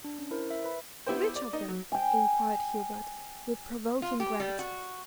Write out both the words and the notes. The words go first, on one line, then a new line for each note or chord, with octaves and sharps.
"Which of them?" inquired Hubert, with provoking gravity.
D4
C#4
E4 A#4 C5
E5
B4 B5
B3 E4 G4 C5
D5
D#4
F#3
G5 G#5
F4
G4
G3
F#4